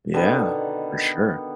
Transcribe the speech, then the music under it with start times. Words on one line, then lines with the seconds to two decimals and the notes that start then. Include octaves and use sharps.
Yeah. For sure.
0.14 B2 D3 D#3 B3